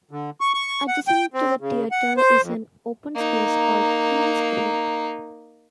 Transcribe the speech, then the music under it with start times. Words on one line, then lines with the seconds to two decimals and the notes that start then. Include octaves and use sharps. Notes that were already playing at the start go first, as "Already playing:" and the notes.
Adjacent to the theatre is an open space called Queen's Green.
0.11 D3
0.41 C#6
0.54 C#6
0.88 F#5
1.08 G5
1.34 C4
1.61 C#3
1.91 F#5
2.17 C5
2.42 F2
3.15 A#3 D#4